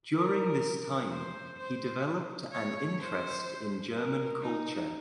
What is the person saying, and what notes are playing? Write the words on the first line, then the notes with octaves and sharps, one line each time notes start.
During this time he developed an interest in German culture.
A#4
C5
C5
C#5
C5
A#4
D#4